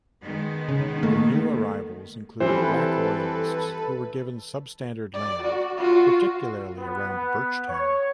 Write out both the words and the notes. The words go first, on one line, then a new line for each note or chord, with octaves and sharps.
The new arrivals included Black Loyalists who were given substandard land, particularly around Birchtown.
D#3 G#3 B3
C#3
A3 A#3
E3 G3 C4 A4 B4 C5
D5
F#4
F4 F#4
B3
C#5